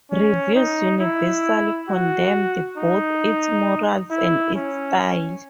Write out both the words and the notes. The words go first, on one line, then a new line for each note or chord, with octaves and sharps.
Reviewers universally condemned both its morals and its style.
C#4
D#4
E4
F#4
D#4
E4
C#4